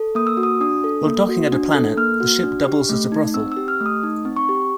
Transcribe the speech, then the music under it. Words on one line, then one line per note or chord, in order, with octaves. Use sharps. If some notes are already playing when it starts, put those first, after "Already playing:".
While docking at a planet, the ship doubles as a brothel.
Already playing: A4
A#3 D#6
E6
F#4
D#6
D4 D#6
A4
A#3
F#4
D4
A4
A#3 F6
F#4
D4
G4
A3
D#4
C4 E6
E6
G4
F6
A3
D#6
D#4
C4
C#6
G4